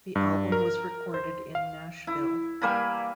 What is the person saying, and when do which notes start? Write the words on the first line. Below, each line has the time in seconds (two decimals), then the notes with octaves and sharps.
The album was recorded in Nashville.
0.15 G2
0.52 A#4
1.14 C5
1.55 F5
2.07 E4
2.62 G3 A#3 G#5 B5